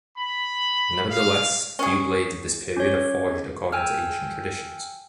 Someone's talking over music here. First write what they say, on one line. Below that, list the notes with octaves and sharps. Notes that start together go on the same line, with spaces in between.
Nevertheless, few blades of this period are forged according to ancient traditions.
B5
F5
C#4 G#4
C#4 C#5
G5 G#5 E6 F6